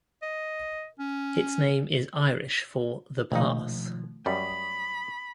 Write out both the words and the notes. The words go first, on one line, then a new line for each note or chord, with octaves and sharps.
Its name is Irish for "the pass".
D#5
C#4
A#1 B2 D#3 F3 A3 D#4 F5
F#2 G3 B5 C#6 D#6